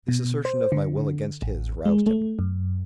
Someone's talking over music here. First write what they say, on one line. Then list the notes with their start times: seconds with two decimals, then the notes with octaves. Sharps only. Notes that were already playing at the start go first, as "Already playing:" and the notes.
This assertion of my will against his roused him.
0.08 B2
0.45 C5
0.72 D3
1.42 A1
1.85 G#3
2.07 A3
2.39 F#2